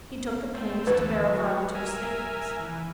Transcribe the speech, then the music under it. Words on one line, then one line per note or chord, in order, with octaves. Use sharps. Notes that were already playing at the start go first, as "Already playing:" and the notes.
He took the pains to verify the two statements.
A3 C4
D2 E3 A4 B4
F#3
A#4 E5 G#5
E3